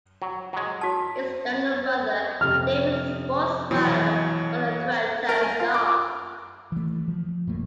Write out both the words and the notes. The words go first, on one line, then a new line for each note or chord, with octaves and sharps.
His younger brother Dave is a sportswriter for the "Toronto Star".
F#3
F#3 G#3
F#4 A5
F2 C3 F6
B2 E3 F#3 C#5
A#4
G#5
F4
D6
E3 A3
F3
D#1 G2 A3 A#3